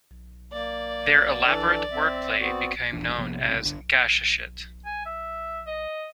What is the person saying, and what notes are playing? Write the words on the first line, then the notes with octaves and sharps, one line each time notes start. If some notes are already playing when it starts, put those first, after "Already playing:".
Their elaborate word play became known as "Gashashit".
A#3 D5
E3 D4 A4
C4 E5
B3 C4 F#4
D#1 A#2 E3 D4
C3 F3 A#3 B3
C#2 A2 C3
G1 D3
G#5
E5
D#5